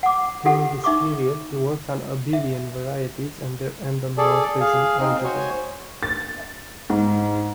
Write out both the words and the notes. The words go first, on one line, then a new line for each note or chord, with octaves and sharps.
During this period he worked on Abelian varieties and their endomorphism algebras.
F#5 D6
F4 G4 A4 F#5
D#4 E5 C#6 D6
E5
G#4 A4 D5
G#4 F5
C4 D#4
F#4 C5 C#5 G#5
A6
G#2